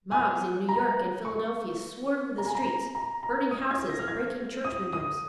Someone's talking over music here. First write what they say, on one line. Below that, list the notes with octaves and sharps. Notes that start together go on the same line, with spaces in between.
Mobs in New York and Philadelphia swarmed the streets, burning houses and breaking church windows.
G#5
A#5
C#6
A#5
G#5
A#5
A#5
A#5
D#6
G#6
A#6
F6
G#6
D#6
D#6